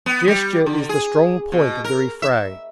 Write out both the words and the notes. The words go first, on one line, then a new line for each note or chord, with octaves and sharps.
Gesture is the strong point of the refrain.
B3
G3
D3
G#4
B2
A#4
E5